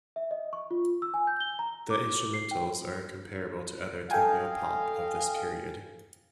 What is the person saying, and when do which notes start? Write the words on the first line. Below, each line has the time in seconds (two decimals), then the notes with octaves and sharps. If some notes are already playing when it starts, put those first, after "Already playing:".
The instrumentals are comparable to other techno pop of this period.
0.16 E5
0.31 D#5
0.53 C#6
0.71 F4
1.02 E6
1.14 G#5
1.27 G6
1.41 G7
1.59 A#5
1.90 D6
2.34 C7
2.51 G5
4.11 A4 D#5 F5 G5 G#5